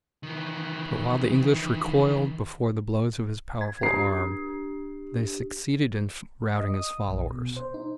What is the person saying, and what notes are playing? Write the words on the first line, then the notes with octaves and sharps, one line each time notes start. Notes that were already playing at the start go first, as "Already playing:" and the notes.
But while the English recoiled before the blows of his powerful arm, they succeeded in routing his followers.
D#3 E3
G#6
D4 G4 C7
D#5
D#6
A#1
B2
C5
D#4